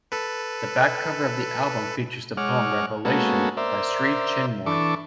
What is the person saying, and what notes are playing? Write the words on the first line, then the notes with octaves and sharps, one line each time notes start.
The back cover of the album features the poem "Revelation" by Sri Chinmoy.
A4 B4
G#3 C#5 F#5 D6 F6
G#3 A#3 B3 C#4 F#4 A4
A#4 C5 D5 E5
E3 D4 A4 C#6 D6